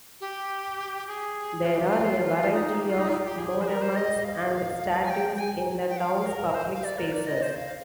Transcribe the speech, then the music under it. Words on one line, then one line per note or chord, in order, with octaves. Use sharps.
There are a variety of monuments and statues in the town's public spaces.
G4
G#4
F4
G4
F4
D#4
G#4
G4
F4
D#4
F4
G4
G#4
C5
A#4
C5
D#5
F5
G#5
G5
G5
G#5
G5
F5
A#4
C5
F5
D5
A#4
D5
D#5
C5
F5